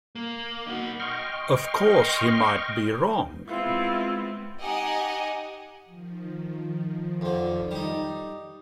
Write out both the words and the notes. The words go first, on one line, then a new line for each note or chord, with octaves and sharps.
Of course he might be wrong.
A#3
D#4 F#4
D#5 G5 C6 C#6 F6
G#3 B3 C4 E4 F4
D#4 G4 D#5 F#5 G#5
D#3 F3
F2 D3
G3 D#4